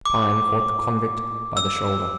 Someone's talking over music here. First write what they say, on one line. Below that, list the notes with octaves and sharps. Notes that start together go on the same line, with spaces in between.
Pine caught the convict by the shoulder.
D6
E6